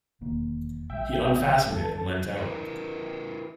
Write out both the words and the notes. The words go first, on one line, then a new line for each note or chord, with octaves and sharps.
He unfastened it, and leant out.
E1 D#2 A#3
A#1 G#3 E5 G5
A4
E4 A#4 B4